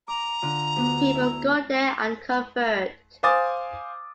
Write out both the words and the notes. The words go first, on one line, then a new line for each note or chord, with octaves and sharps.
People go there and convert.
A#5 D6
D3 F4
D2 B3 D4
E4
C5 F5 G#5 D6 D#6 A6